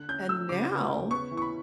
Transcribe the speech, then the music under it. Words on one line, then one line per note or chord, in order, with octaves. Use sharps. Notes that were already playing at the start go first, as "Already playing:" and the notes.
and now
Already playing: D3 F#6
C#4 G6
A3 E6
C#3 D6
C#3
C#3
B3 C#6
E3
C#6
B5